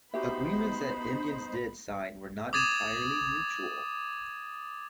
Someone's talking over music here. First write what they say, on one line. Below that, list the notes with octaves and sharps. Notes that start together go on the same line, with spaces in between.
Agreements that Indians did sign were not entirely mutual.
B3 D#4 F#4 G4 C5 E5 B5
D6 D#6 G#6 A6 D#7 E7